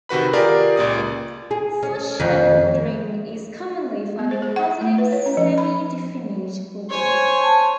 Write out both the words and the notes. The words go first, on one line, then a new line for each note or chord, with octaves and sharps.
Such an ordering is commonly found in positive semidefinite programming.
C3 D#3 F#4 B4 B5
F4 G4 G#4 A#4 D5
C#2 A#2 D5 D#6
G#4
C#4
F2 D#3 F5
B3
C5
G#4
F#5
A3
B4
C#5
C#4
F3
B5
C5 C#5 G#5
A5